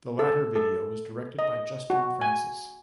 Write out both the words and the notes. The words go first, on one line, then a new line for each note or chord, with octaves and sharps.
The latter video was directed by Justin Francis.
A4
A4
D#5
F#4
G#5